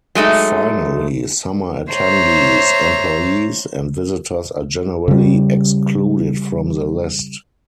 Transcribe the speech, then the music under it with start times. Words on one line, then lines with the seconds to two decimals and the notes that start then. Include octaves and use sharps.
Finally, summer attendees, employees and visitors are generally excluded from the list.
0.15 F#3 G#3 A3 D#4
1.92 C5 C#5 E5 A#5
5.08 C#3 G3